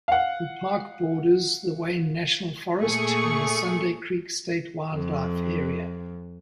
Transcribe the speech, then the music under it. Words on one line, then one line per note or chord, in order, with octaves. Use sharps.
The park borders the Wayne National Forest and the Sunday Creek State Wildlife Area.
F5 F#5
A#2 A3 G#4 C#6
F2